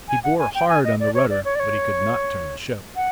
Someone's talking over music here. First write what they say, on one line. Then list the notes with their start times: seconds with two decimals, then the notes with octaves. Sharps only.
He bore hard on the rudder, but he could not turn the ship.
0.08 G#5
0.24 F#5
0.39 G#5
0.54 G5
0.69 G#5
0.84 D#5
1.00 D5
1.15 C#5
1.30 D5
1.45 C#5
1.55 D5
1.60 C#5
2.96 F#5